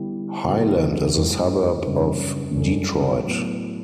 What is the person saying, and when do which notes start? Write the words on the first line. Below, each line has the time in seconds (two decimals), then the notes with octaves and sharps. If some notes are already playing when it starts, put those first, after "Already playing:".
Highland is a suburb of Detroit.
Already playing: D3 G3 B3 E4 G4
0.48 C#3 F#3 B3 F#4 A4
1.17 G2 E3 A3 E4
1.87 F#2 C#3 G3 D4
2.55 F#2 E3 G3 D4 A4
3.25 A2 F#3 B3